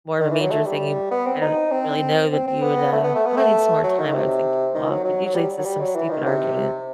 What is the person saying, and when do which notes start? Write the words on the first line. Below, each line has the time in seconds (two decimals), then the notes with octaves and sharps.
more of a major thing he I don't really know that you would, uh, probably need some more time, I would think, to cool off, but, usually, it's just some stupid argument.
0.20 D#3
0.30 E3
0.41 F#3
0.51 A3
0.66 G3
1.11 B3
1.26 C4
1.42 D#4
1.72 C4
2.32 C4
2.47 C4
2.62 B3
2.93 A3
3.04 B3
3.15 A3
3.26 B3
3.37 A3
3.84 F#3
3.99 D#3
4.14 C3
4.74 D#3
4.90 F#3
5.05 F#3
5.26 F#3
5.35 G3
5.59 F#3
5.65 G3
5.80 F#3
5.95 E3
6.11 D#3
6.26 C3